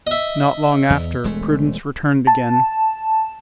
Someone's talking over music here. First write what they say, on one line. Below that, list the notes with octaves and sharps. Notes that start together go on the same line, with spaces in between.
Not long after, Prudence returned again.
D#5 E5
E2
E1 G#3 A3
A5